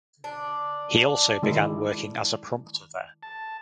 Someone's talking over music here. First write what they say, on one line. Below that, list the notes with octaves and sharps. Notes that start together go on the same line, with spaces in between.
He also began working as prompter there.
D4
D#3 G#3 E4
A5